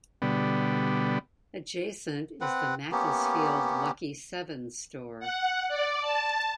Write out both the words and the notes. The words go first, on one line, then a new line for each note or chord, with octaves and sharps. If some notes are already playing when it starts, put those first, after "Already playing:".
Adjacent is the "Macclesfield Lucky Seven" store.
B2 D3 G3 B3
C4 B4 F#5
A#3 B3 C#4 G4
F#5
D5
A5